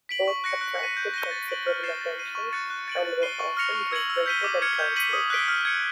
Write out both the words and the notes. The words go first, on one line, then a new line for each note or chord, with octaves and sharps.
Both attracted considerable attention, and were often reprinted and translated.
B6 D7 F#7
C#6
F#6 A#6 C#7
F#6
B6 D#7
G6
A#6 D#7 G7
A6
D7 F#7
F6
A6 C7 E7 G7
A6
C7 D#7
C#6
F#6 A6 C#7
F#6
A6 D7 F#7
A6
C7 D#7 G7
C#6
F6 A#6 C#7 F7
C#6
E6 G#6 C#7 F#7
E6
G6 B6 D#7 G7
D6
F6 G#6 C#7
G6
B6 D#7 F#7
D#6
F#6 B6 D7 G7
F6
G#6 C#7